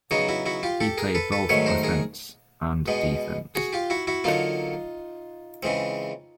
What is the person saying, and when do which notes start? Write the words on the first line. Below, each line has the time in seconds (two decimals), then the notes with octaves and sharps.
He played both offense and defense.
0.11 C#3 F#3 B3 D#4 F#4 G#4
0.29 E4 F#4
0.46 E4 F#4
0.63 F4 G4
0.80 G4 A4
0.98 G#4 A#4
1.15 A4 B4
1.32 A4 B4
1.49 G#2 D#3 F#3 A3 B4 C#5
1.66 A#4 C5
1.83 G#4 A#4
2.87 B2 G#3 B3
3.55 F#4 G#4
3.73 F4 G4
3.90 E4 F#4
4.07 E4 F#4
4.24 D3 F#3 A#3 D#4 F4
5.63 C#3 E3 G#3 C4